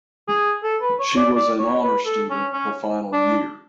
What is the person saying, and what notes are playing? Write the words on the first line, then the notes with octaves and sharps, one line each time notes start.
She was an Honor Student her final year.
G#4
A4
B4
C#5
D5
D5
C#5
B4
A4
C#4
C#4
D4